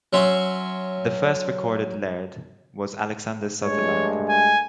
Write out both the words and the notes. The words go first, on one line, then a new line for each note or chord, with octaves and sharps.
The first recorded laird was Alexander Sutherland.
F#3 C#4 E5 C6
G2 G#3 A3 C#5
G#5